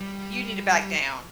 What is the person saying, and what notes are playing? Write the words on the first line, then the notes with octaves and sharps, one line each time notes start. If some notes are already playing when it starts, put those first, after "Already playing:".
you need to back down
G3